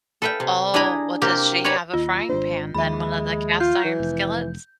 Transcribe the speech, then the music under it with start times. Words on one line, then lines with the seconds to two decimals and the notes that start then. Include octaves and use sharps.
Oh, well, does she have a frying pan, then, one of the cast iron skillets?
0.22 A4 B4 E5 F5 G5
0.40 C3
0.74 D4 E4 G#4 D#5 A#5 B5
1.22 C3 A#3 G4 A#4
1.64 B4 C#5 D5 G#5 A#5 B5
1.94 D#2 F4
2.29 G#1 D4 C5
2.75 D#2 D#3 F3 G#3 E5 B5
3.60 F4 G6
3.84 E3
4.00 F1